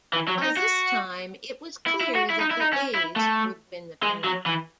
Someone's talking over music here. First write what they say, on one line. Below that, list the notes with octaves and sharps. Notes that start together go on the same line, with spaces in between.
By this time, it was clear that the A's would win the pennant.
E3
F#3
D#4
F#4
E4
E4
F#4
E4
D#4
E4
D#4
C#4
E4
A3
G#3
F#3
E3